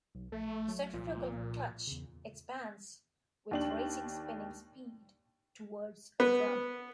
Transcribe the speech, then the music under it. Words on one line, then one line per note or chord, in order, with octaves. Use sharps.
The centrifugal clutch expands with raising spinning speed towards a drum.
B1
A#1 A3
F#3
C2 A#2 F3 F4
E2 C#3
D#2 D4 F#7
B3